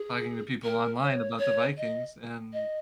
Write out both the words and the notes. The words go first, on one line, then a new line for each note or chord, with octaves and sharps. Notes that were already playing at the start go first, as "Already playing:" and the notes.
talking to people online about the Vikings, and,
Already playing: G#4
A#4
C#5
C#5
D#5
D#5